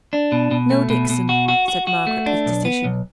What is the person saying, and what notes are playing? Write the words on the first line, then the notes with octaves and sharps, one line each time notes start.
'No, Dixon!' said Margaret with decision.
D4
B2
B2
A3
B2
B2
F#4
F#4
F#4
F#4
A3
D4
B1
B3
B1